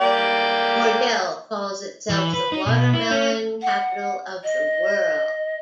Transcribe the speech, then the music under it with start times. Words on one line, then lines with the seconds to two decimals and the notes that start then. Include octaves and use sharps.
Cordele calls itself the Watermelon Capital of the World.
0.01 A#3 D5 G5
2.10 E3
2.33 B4
2.52 D#4
2.66 B2
2.94 E4
3.11 C#4
3.62 F#5
4.44 D#5